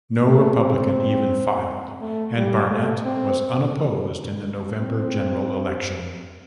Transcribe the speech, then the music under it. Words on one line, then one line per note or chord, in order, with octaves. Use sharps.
No Republican even filed, and Barnett was unopposed in the November general election.
A3
C4
A3
G3
A3
C4
C4